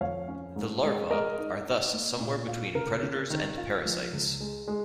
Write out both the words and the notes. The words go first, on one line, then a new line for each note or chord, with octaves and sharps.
The larvae are thus somewhere between predators and parasites.
F2 C#5 F5
C#4
G#2
G#3
G#3 A#4 D#5
D#4
D#4
A#3
A#2
F4
C#3 A#4
C#3
D#3
F4
F3
C#2
G#3
G#3